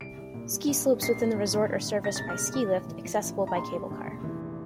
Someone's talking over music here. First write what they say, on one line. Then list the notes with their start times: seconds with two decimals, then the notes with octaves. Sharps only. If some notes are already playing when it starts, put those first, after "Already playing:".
Ski slopes within the resort are serviced by ski lift, accessible by cable car.
0.01 C2 D7
0.17 C2
0.34 A#2
0.52 G3
0.68 A#1
0.86 G3
1.02 A#1 C7
1.20 A2
1.35 A2
1.53 G1
1.70 G1
1.87 G1
2.04 C2 A#6
2.16 A#2 A6
2.29 F6
2.38 C2
2.54 E3 D6
2.72 A2
2.88 E3
3.05 F3
3.22 A1
3.39 A1
3.47 A#5
3.55 A#1 C6
3.73 G3
3.90 A#1
4.06 F1
4.23 E3